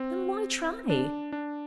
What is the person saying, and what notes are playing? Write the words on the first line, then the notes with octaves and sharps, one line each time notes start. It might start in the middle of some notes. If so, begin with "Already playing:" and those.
Then why try?
Already playing: C4
D4
D4